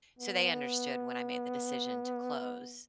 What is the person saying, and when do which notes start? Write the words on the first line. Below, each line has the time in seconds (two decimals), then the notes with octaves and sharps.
so they understood when I made the decision to close.
0.19 B3